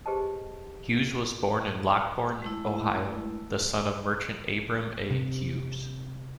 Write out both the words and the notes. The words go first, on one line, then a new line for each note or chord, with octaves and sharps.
Hughes was born in Lockbourne, Ohio, the son of merchant Abram A. Hughes.
G4 G#4 B4 C5 D#5 A5
G#3 A3 E4
C3